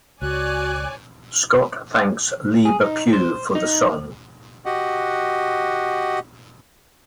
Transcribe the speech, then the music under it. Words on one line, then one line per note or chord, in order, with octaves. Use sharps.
Scott thanks Liebe Pugh for the song.
C#2 F#4 C#5 D5 G#5 F#6
G#4
D#4
C5
D#4
F#4 G4 D#5 F#5